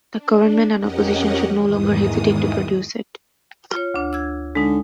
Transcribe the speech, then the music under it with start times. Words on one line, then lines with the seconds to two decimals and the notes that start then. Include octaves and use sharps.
The Government and Opposition should no longer hesitate to produce it.
0.14 D4
0.77 F2 C#4 G4 A#4 D#5 F#5
1.58 E2 G#2 D#3 E3 G#3 D#6
3.72 F4 C#5
3.94 D2 D4
4.13 E6 G#6
4.55 D3 G#3 D#4